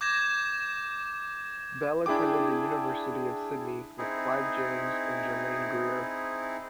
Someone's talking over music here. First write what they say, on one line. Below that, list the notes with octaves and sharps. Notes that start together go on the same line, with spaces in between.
Bell attended the University of Sydney with Clive James and Germaine Greer.
D6 G6 G#6 A#6 E7
D4 E4 G#4 G5 D6
C4 D#4 E4 G#4